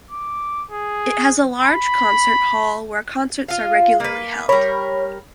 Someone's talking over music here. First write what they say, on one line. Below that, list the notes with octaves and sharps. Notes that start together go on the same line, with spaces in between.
It has a large concert hall where concerts are regularly held.
D6
G#4
B5
F4 F5
A#3 B4
G3 A#4 C#5 B5